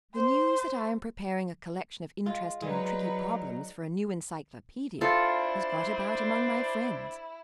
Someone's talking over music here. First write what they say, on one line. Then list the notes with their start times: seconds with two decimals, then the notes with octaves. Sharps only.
The news that I am preparing a collection of interesting and tricky problems for a new "Encyclopaedia" has got about among my friends.
0.14 C5
2.26 G#3 F4
2.62 F#3 G#3 D#4 B4 D5
5.01 D4 E4 F4 A4 C5 D5